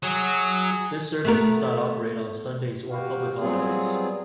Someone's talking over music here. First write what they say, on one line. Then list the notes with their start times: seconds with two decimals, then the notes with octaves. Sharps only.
This service does not operate on Sundays or public holidays.
0.03 F#3 G#4
1.25 A3 B3 A#4
2.91 F#4 G4 F5
3.39 F#3 G3 B3 C4 F4 G#4